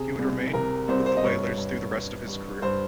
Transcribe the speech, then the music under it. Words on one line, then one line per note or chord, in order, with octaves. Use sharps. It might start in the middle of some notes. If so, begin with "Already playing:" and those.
He would remain with the Whalers through the rest of his career.
Already playing: C3 G#4
C2
C3 A#4
C2 C5
C5
D#5
G2 C#5
G2
G2
G2
G2 C5